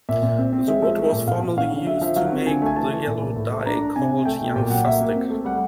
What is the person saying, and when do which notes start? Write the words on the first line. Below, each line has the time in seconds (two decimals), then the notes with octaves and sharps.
The wood was formerly used to make the yellow dye called young fustic.
0.09 A#2 E5
0.23 A#2
0.38 C4
0.53 C4
0.67 G#3 E5
0.82 F3 E5
0.98 A3
1.12 A#2
1.27 A#2 F5
1.43 A#2
1.57 C#4 F5
1.72 D3
1.87 D3 E5
2.01 F3 E5
2.16 F#3 F5
2.32 C4
2.46 D3 G#5
2.62 A3 G#5
2.76 E3 A5
2.92 E3
3.07 A#2
3.22 A#3
3.36 A2
3.52 A3
3.66 D4 A#5
3.81 D4
3.96 C3 G#5
4.11 C3
4.25 A3 G5
4.41 B2
4.56 A#2 G5
4.70 F#3 F#5
4.86 A#3 E5
5.01 A#3
5.15 C4
5.30 A3
5.45 G3 F#5